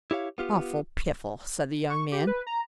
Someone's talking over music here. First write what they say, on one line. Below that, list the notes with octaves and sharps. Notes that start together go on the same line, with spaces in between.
"Awful piffle," said the young man.
E4 G4 C#5 F5
B3 F4 G4
C#6
G4
B4
A#5